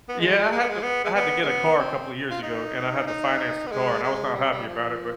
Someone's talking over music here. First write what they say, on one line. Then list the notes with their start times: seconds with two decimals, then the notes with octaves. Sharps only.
Yeah, I had to I had to get a car a couple of years ago, and I had to finance the car, and I was not happy about it, but
0.08 B3
0.20 G#3
0.51 G#3
0.59 B3
0.68 G#3
0.83 B3
1.04 G#3
1.15 B3
1.42 G#3
1.47 B3
1.79 C4
2.31 F4
2.43 D#4
3.07 D#4
3.67 B3
3.71 G#3
4.03 G#3
4.34 G3
4.51 G3
4.67 F3